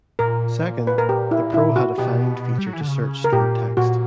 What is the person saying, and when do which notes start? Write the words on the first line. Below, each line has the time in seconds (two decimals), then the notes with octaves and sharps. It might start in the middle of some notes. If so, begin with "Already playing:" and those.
Second, the Pro had a "find" feature to search stored text.
0.19 A#2 A#4
0.87 B4
0.98 A#4
1.09 G4
1.31 E4
1.54 E4
1.76 F#4
1.98 B2 G4
2.58 G3
2.66 F#3
2.73 E3
2.81 D3
2.88 C#3
3.24 A#4
3.33 A#2 G4
3.77 A#2 F#4